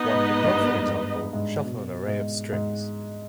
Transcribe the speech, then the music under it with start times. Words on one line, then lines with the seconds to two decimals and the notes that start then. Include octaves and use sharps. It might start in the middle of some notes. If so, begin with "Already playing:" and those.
One could not, for example, shuffle an array of strings.
Already playing: B3 D#4 B4 D#5
0.14 G#2
0.44 G2
0.73 G#2
1.33 G#2
1.63 B2
2.08 G#2
2.52 G#2